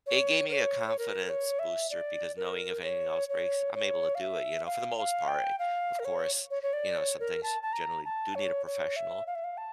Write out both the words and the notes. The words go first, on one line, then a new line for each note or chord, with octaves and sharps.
it gave me a confidence booster because knowing if anything else breaks, I'm able to do it, you know, for the most part, eh, of course, you know, some things you generally do need a professional.
C#5
A#4
C#5
C#5
A#4
C#5
E5
D5
A#4
C#5
C#5
C#5
F5
E5
F5
F5
G5
F5
A#4
C#5
C#5
C#5
D5
C#5
A#4
A5
A5
A#5
A5
C#5
C#5
E5
F5
E5
F5
A5